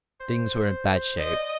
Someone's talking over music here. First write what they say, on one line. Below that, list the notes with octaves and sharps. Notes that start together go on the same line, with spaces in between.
Things were in bad shape.
C5
D5 D#5